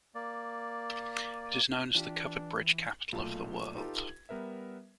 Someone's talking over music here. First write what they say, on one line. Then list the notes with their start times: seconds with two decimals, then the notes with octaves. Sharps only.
It is known as "The Covered Bridge Capital of the World".
0.15 A#3 D5
1.95 E3 D4 F4 G4
3.12 B1 A#2 A3 F4
3.75 D#4 F4 G4 A4 B4
4.09 G#6
4.29 G3 B3 A#4 B4 E5